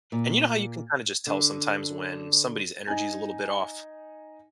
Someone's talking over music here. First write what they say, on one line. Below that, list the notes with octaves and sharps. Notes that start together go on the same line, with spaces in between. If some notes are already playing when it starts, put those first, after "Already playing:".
And you know how you can kinda just tell sometimes when somebody's energy is a little bit off.
A#2
D3
D#4 G#5